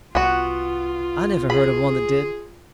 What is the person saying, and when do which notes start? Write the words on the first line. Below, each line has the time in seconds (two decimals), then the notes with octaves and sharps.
"I never heard of one that did."
0.15 C2 B3 F4 F#4
1.50 G#4 B5